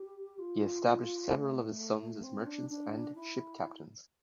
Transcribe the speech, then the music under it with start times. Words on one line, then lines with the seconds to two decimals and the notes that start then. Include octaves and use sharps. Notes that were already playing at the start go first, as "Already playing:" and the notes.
He established several of his sons as merchants and ship captains.
Already playing: G4
0.39 F4
1.32 A3
2.23 C4
2.46 D4
2.70 D4
3.15 E4